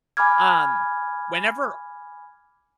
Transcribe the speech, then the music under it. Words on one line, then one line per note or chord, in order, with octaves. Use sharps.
Um, whenever
G#5 B5 D6 F6 G#6